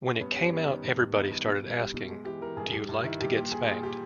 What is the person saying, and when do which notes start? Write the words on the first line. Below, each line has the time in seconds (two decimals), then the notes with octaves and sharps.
When it came out everybody started asking, 'Do you like to get spanked?
0.15 C#4
0.21 G2 B3
0.32 C#4
0.37 G3
0.42 C#4
0.52 G3 B3
0.69 D#3
0.84 G2
1.00 G2
1.15 D#3 B3
1.31 G2
1.46 B2
1.62 G3
1.79 G3
1.94 B2
2.10 G#3
2.25 E3 G4
2.41 E3 A#4
2.57 G2 G#4
2.72 G2 G4
2.88 G2
3.04 D#3 E4
3.20 G2 G4
3.35 A#2 G4
3.52 A#2 G#4
3.67 A#2 G#4
3.83 A#2 G4